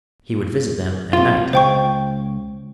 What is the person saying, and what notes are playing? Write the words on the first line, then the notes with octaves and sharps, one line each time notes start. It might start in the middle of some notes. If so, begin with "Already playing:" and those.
He would visit them at night.
C3 F4
C#2 C5 G5 C#6